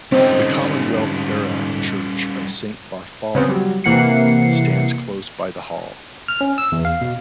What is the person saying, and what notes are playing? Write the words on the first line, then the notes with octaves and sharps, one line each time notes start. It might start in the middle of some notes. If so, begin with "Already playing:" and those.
The Commonwealth era church of Saint Bartholomew stands close by the Hall.
G#2 D3 G3 C4 C#4 D#4
C#3 B3 C4
F#3 G3
C3 E3 A#3 F#5 C7 C#7
F6
C#4
E6
E2
F5
B2